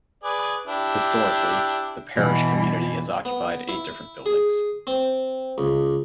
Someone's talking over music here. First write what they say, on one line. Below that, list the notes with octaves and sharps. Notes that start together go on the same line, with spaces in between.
Historically, the parish community has occupied eight different buildings.
G#4 B4 D5
D4 E4 G4
B2 E3
B3
E4
G#4
C4
C#2